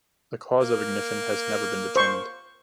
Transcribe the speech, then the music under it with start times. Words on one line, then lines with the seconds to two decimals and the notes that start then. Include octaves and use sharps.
The cause of ignition has never been determined.
0.61 A#3
1.96 C5 C#6